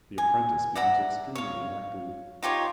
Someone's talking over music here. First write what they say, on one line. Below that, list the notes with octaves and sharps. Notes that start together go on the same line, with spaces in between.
The apprentice becomes extremely active.
G#5
D5 E5 F#5 A#5
C#5 F5
D#4 F4 G4 C#5